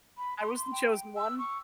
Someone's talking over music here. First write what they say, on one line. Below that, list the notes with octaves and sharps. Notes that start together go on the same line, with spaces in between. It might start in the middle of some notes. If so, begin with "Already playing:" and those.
I was the chosen one.
B5
C6
G5
E6
C#6